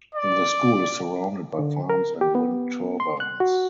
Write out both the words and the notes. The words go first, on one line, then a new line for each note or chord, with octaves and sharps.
The school is surrounded by farms and wind turbines.
D5
D3
A#4
G4
B3
C6
F#6
F#4